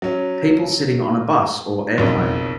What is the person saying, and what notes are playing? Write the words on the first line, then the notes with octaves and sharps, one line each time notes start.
People sitting on a bus or airplane.
F#3 C#4
F#1 B1 F2